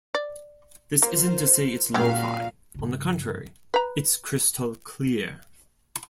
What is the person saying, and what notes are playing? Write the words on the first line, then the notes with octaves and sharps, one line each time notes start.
This isn't to say it's lo-fi; on the contrary, it's crystal clear.
D5
A#3 F4 A#4 C5
A#2 C#3 F#3 F#4 G4 F5
G2 C#3
B4 A#5